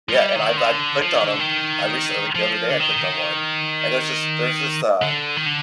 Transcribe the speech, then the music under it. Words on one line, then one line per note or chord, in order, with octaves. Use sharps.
yeah, and I've I've clicked on 'em. I recently, like, the other day I clicked on one, and there's this, there's this, uh
F3
G3
D#3
D3
F3
D#3
D3
D#3
F3
D3
D#3
D3
D#3
D3